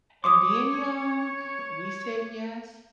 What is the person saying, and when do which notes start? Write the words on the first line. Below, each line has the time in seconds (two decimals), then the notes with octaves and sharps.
and being young, we said, "Yes."
0.24 C#5 C6 D6 D#6